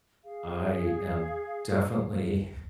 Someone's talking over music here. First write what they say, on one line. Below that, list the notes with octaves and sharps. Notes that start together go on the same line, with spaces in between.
I am definitely
G#4 F5